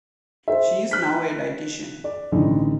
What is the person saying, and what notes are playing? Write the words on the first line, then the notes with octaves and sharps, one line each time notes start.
She is now a dietician.
C5 E5
F#6 B6
D5
A1 D3 D#4